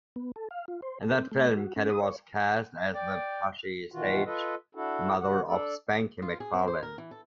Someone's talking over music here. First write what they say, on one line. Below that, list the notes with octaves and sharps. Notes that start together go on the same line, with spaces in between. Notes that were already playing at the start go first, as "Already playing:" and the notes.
In that film, Kelly was cast as the pushy stage mother of Spanky McFarland.
B3
A4
F5
F4
C5
A4
C4
A3
F#4
C#4
D#6
C#5
D5 G5
B2 D#3 E3 F4 F#4
F4 A4 B4 D#5
D4 E4 F#4 A4
C#3 F#4 F#5
D4 A4 D5
F4
G#4
C4
C5
A#4
E3
A4